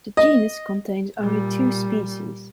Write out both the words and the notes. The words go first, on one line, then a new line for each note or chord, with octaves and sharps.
The genus contains only two species.
D#5
A#2 G3